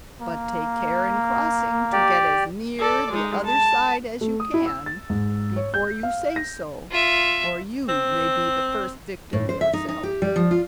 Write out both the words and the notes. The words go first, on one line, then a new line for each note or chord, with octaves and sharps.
But take care, in crossing, to get as near the other side as you can before you say so, or you may be the first victim yourself.'
A#3
G4 D5
A4 D5
G#3 D#4
A5
A3
D#6
E4
E6
A6
G#2
C#5
G6
F5
A#6
F4 E5
C4
A2
C5
E5
D#4
D#4
G4
G3
F3
F4